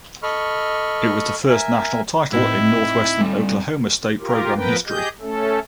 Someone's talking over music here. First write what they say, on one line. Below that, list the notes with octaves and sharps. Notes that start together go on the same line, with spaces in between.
It was the first national title in Northwestern Oklahoma State program history.
A4 D#5 B5 C#6 F6
A#4 E5 G#5
A2 C4 D#4 E4
G3 A4
F4 G4 A#4
F3 B3 A#4 B4 G5
G4 G#4 D#5 G6
A3 C#4 A4